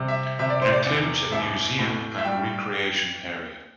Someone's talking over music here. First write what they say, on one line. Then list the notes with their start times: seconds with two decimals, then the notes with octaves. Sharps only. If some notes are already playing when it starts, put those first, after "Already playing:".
It includes a museum and recreation area.
Already playing: C3 G3
0.08 E5
0.39 C3 E5
0.50 D5
0.62 C5
0.72 D5
0.86 E2
1.32 A1 E5
1.79 A2
2.18 E5
2.25 G3 G5